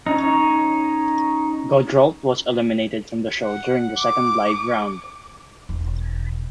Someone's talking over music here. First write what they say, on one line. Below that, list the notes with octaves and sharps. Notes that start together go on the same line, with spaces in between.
Gaudreault was eliminated from the show during the second live round.
C#4 D#4 C#5
F#5
D6
E1